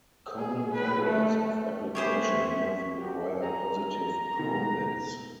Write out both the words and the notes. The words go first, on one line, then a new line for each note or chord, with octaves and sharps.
Common areas of application do not require positive probits.
G#4
B4
A3
A3 B3 C#4 G4 G#4 C5 E5 C#6
F#4 G4
G#4 A#5
B2 D#3